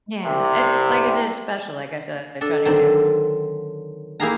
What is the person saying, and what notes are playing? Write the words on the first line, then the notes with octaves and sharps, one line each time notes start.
Yeah. It's like, it is special like, I said, I try to do
C2 C3
D4 A4
D3 D#3 F#3 C4
A#3 E4 G4 G#4 F5 A#5